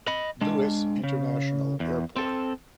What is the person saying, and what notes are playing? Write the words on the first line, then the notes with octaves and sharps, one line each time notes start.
Louis International Airport.
D#5 B5
G#3 D4
C#3
E2
C4 A4